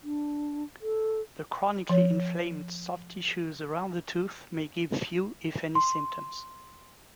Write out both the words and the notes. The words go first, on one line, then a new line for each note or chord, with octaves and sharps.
The chronically inflamed soft tissues around the tooth may give few if any symptoms.
D4
A4
F3 C#5
C6